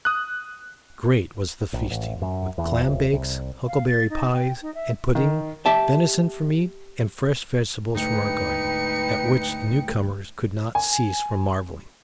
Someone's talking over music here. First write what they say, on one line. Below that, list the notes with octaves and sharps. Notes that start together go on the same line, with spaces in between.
Great was the feasting, with clam bakes, huckleberry pies and puddings, venison for meat, and fresh vegetables from our garden, at which the newcomers could not cease from marveling.
D#6 F#6
A#1
A1
F#2
E2
D#1
C2
F5
A6
D#4
G5
D#4
E5
D#3
G4 E5 A5
D2 G#2 A3 D#4 B4 G5 C#7
G#5